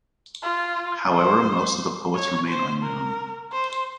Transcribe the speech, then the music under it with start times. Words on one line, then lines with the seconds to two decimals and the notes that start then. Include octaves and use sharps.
However, most of the poets remain unknown.
0.43 F4
1.12 C5
2.15 C#5
2.49 C5
2.83 A#4
3.52 C5